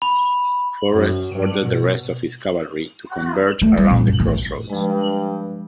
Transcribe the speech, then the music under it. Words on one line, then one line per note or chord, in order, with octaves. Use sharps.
Forrest ordered the rest of his cavalry to converge around the crossroads.
B5
F#2
G2
B2
A3
G3
A#2
F#2
A1
G2 F3 G#3